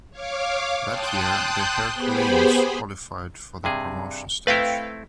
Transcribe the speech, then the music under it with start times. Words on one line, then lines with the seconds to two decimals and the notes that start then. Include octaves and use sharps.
That year, "The Herculeans" qualified for the promotion stage.
0.11 C#5 F5 D6
0.86 G5 A5 C6 D#6 F#6 G6
1.94 B3 G4 G#4 C5 B5
3.64 G2 C3 G#4
4.47 A3 C4 E4 B4 F5 G5